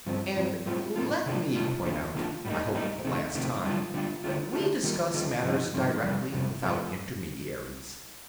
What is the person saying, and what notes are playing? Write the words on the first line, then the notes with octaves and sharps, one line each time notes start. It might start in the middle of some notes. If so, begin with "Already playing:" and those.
And let me point out, I hope for the last time, that we discuss matters directly, without intermediaries.
G2 F3 C4
G2 F3 C4
A2 G3 C4 F4
A2 G3 C4 F4
C3 D#3 A3 D4 F4
C3 D#3 A3 D4 F4
D#3 A#3 D4 F4
D#3 A#3 D4 F4
A2 G3 A#3 D#4
A2 G3 A#3 D#4
C3 D#3 A3
C3 D#3 A3
D3 G3 D4 F4
D3 G3 D4 F4
D3 A3 D4 F4
D3 A3 D4 F4
D#3 G3 A#3 F4
D#3 G3 A#3 F4
G2 F3 C4 D#4
G2 F3 C4 D#4
F2 C3 G3
F2 C3 G3
F2 C3 F3 A3